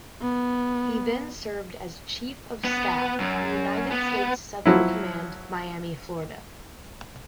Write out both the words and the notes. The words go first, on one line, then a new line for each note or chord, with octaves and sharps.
He then served as Chief of Staff, United States Southern Command, Miami, Florida.
B3
B3
F#2
B3
F3 F#3 E4